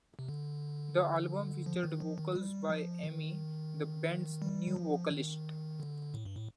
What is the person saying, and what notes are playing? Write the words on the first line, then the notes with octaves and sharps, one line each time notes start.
The album featured vocals by Aimee, the band's new vocalist.
C3
D3
F3
D#3
F3
D#3
G3
F3
D#3
G3
D#3
F3
D#3
D3
A2
G2
A2